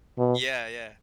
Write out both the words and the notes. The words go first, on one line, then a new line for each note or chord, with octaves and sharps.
Yeah, yeah.
B2